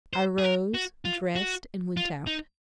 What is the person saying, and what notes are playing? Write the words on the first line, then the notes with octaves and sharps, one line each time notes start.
I rose, dressed, and went out.
C5
G#4
A#4
F#4
F4
F#4
F4
D#4